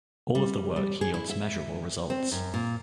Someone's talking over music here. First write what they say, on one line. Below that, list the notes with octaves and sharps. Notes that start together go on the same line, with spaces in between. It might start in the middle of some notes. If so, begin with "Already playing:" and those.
All of the work yields measurable results.
G3
G3
G#4
E4
E5
C4
F#2
A#2